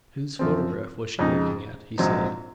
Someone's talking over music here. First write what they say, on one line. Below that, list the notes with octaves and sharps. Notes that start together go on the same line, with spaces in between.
"Whose photograph was she looking at?" he said.
F#2 F3 C4
F2 C#3 G#3 D#4
A#1 G#2 F#3 C4 D#4